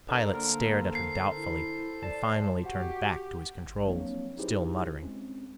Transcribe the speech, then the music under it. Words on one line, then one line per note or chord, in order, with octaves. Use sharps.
The pilot stared at her doubtfully and finally turned back to his controls, still muttering.
D4 A4 A#4 C5
D3 A#3 A#4
C7
E4
D5 A5
F#4 G4
G#1
F3 F#3 A#3 C4 D4 C#5
D#4 E4 G4 G#4 B4 C5
G#3 C4 C#4